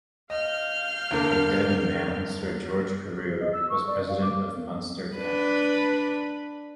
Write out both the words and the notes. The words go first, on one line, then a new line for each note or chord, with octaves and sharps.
A Devon man, Sir George Carew was President of Munster temp.
D#5 F5 F6 G6
E2 D3 A#3
C5
D#5
E6
C#6
D5
F5
D6
D4 B4